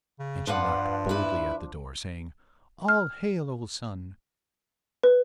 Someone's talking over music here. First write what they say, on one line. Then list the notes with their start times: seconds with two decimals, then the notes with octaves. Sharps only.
And she knocked boldly at the door, saying, 'All hail, O Sun!
0.19 C#3
0.47 G2 F3 D4 B4 F5 F#5
1.09 E4 B4
2.88 F6
5.03 B4